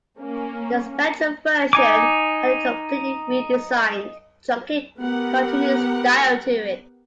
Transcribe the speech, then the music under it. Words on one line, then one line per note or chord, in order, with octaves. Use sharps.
The Spectrum version had a completely redesigned, chunky, cartoony style to it.
A#3 C#4
D#4 G#5 D6
B3 G4 A#4 F#5